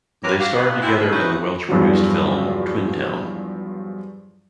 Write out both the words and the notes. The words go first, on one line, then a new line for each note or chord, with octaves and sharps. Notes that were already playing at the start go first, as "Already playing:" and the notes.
They starred together in the Welsh-produced film "Twin Town".
F3 C4 G4 A#4 B4 C#5
F#4 G4 F5
A#2 A#3 B3
G#3 C4 D4 E4
D2 B2 D3 D#3 G#3 B4
C#4 D#4 E4 F#4 B4 C5
E2 G2 F3 F#3